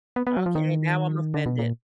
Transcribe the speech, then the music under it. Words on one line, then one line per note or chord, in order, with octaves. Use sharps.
Okay, now I'm offended.
B3
B3
F#3
F3
D#3
D3
B2
A#2